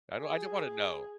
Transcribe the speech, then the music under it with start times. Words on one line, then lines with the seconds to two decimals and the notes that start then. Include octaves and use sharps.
I don't I don't wanna know.
0.19 G#4